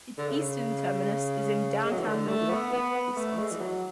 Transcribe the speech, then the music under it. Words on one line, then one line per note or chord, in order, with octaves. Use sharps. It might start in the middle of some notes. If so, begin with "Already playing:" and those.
Its eastern terminus is in downtown Milwaukee, Wisconsin.
D3
C#3
G#3
F#3
E3
D3
A3
B3
B3
B3
A3
G#3
E3
F#3